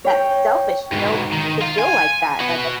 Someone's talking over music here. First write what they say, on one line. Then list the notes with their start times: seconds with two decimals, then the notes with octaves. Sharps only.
that selfish you know, to feel like that, that that
0.05 C#5 G5
0.92 G#2 B2
1.32 D#3
1.62 F4
1.79 G#5
2.41 F#4 B4